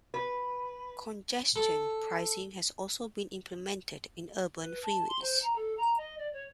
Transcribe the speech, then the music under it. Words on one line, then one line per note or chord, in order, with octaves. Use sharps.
Congestion pricing has also been implemented in urban freeways.
B4
A4
B4
A5
C6
C5
A#5
A4
A#5
D#5
D5
C#5